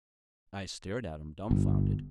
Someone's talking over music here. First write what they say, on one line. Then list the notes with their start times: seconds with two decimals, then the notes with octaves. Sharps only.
I stared at him dumfounded.
1.51 G1